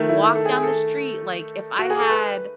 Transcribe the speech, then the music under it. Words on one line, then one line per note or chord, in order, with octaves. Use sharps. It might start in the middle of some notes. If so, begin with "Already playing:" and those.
walk down the street, like, if I had
Already playing: D#3 A3
E4
A4
G#4
A4
F#4
G#4
A4
B4